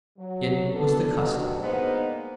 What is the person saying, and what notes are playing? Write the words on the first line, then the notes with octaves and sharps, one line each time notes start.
It was the custom.
F#3
B3 D4 A4
B2 D#3 F#3 G3 D4 F#4
G#3 A#3 B3 D#4 C5